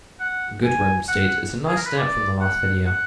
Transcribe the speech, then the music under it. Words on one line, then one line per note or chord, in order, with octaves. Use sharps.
Goodrem states It's a nice step from the last video.
F#5
G#5
F#5
G#4
A#4
B4
D5
F#5
F#5